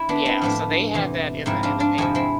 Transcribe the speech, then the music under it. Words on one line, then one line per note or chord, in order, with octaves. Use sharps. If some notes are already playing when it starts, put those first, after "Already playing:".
Yeah, so they have that in the in the paperwork.
Already playing: E4
B3 D4
C4 E4
A2 F3 B3 D4
E2 C3 E3
G#2 F3 C4 E4
D4 F4
D4 F4
F2 C3 F3 E4 G#4
C4 E4